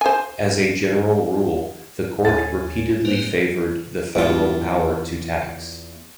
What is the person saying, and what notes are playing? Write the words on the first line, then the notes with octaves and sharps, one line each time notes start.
As a general rule, the court repeatedly favored the federal power to tax.
C5 G#5
D#2 C#4 G#4 A6
A2 A#3 B4 C5
E2 F4